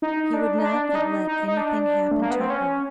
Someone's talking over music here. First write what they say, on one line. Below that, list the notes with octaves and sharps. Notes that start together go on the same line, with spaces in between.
He would not let anything happen to her.
D#4
D4
D#4
D4
D4
D#4
D#4
D#4
D4
A3
A#3
B3
C4
C#4